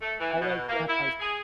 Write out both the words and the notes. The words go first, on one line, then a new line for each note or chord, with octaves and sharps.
I like to have my s
A3
E3
B2
A#3
E4
G#4